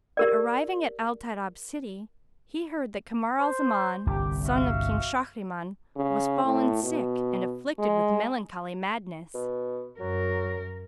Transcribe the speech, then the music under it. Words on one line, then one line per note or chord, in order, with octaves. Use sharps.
But arriving at Al-Tayrab city, he heard that Kamar al-Zaman, son of King Shahriman, was fallen sick and afflicted with melancholy madness.
G4 A#4 D5
C5
G1 C2 G2 G4
F#4 E5 F5
C#3
A2
B2
G#3
B2
F#2 F#3 A#4